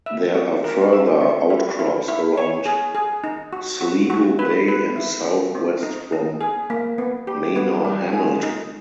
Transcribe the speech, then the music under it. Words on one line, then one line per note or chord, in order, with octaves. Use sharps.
There are further outcrops around Sligo Bay and southwest from Manorhamilton.
E5
F#4
A#4
E5
C4
E4
E4
E4
C#5
G#4
G#4
D#4
F#4
F#4
F#4
B4
B4
E4
C4
C4
D#4
D#4
G#4
A#3
B3
G4
B3
G3
G#4
D#4